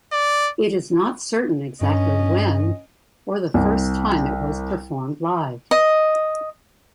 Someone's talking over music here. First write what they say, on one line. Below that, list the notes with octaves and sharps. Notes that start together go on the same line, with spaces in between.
It is not certain exactly when, or the first time it was performed live.
D5
G2 C#4 D#5
C2
D#5